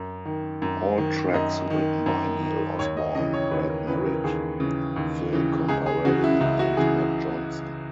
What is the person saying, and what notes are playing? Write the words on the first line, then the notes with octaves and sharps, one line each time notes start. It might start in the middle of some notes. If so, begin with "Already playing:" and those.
All tracks written by Neil Osborne, Brad Merritt, Phil Comparelli and Matt Johnson.
Already playing: F#2
D#3
F#2
D#3
F#2 D#5
D#3
F#2
D#3
D#2 C#5
D#5
C#3 E3 D#5
C#5
D#2 B4
A#4
C#3 E3 B4
A#4
D#2 G#4
C#3 E3
D#2
C#3 E3
C#2 G#4
G#4
C#3 E3 F#4
E4
C#2 E4
F#4
C#3 E3 G#4